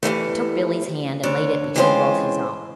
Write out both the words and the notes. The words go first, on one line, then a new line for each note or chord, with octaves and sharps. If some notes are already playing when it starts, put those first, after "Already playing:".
He took Billie's hand and laid it between both his own.
E2 E3 G3 A3
D2 D4 C#5
E3 G#3 C4 C#4 F4 C5